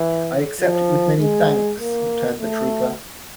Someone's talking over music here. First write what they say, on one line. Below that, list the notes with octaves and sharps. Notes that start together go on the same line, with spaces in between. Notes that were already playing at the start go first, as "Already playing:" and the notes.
"I accept it with many thanks," returned the trooper.
Already playing: E3
F3
G#3
A#3
A3